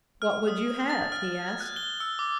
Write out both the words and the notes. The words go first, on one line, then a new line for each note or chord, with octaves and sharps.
"What would you have?" he asked.
F6
D#6
A6
F6
G#6
F#6
G7
E6
D6